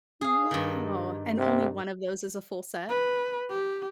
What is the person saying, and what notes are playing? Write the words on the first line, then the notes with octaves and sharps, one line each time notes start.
Wow! And only one of those is a full set?
G#4 F5
G2 D#3
C3
B4
G4